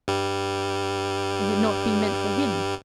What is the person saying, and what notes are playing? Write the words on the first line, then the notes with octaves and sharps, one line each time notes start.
They had not been meant for him.
G2 G3